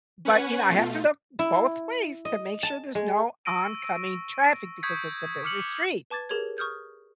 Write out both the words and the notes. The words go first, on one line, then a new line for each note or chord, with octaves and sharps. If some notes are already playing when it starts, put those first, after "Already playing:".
but, you know, I have to look both ways to make sure there's no oncoming traffic because it's a busy street.
C#4 B4 F#5 G#5 C#6
B2 A3 F4
E4
D#5
A5
G#3
C#6 E6 A#6 D7 D#7
E6
C#6 D#6 G6 G#6 B6 C#7
C#6 D6 F6 C#7 F#7
B4 A5 D6 G#6 A6
G4 G#4 A#4 C#5 G#6
C#6 D#6 F6 G6 G#6